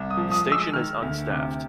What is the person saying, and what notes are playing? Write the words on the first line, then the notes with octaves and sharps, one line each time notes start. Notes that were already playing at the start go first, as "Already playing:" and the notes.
The station is unstaffed.
Already playing: C2
D#6
F3
D#6
G#3
E6
D#3 F6
D2
C3